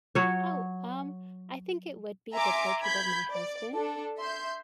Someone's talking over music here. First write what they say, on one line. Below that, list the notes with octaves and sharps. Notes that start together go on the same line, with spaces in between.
Oh, um, I think it would be the portrait of my husband,
F#3 C#5
E5 G#5 A#5 C6 D6
B5 G6 G#6 B6
D5
D4 A4
E5 C6 G6